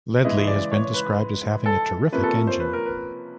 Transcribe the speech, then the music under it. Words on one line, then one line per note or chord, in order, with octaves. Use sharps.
Ledley has been described as having a terrific engine.
C#3 E3 G#3 D#5
D5
C#5
B4
A4
C3 F3 A#3 C#4 B4
A4
C5
B4
A#4
B4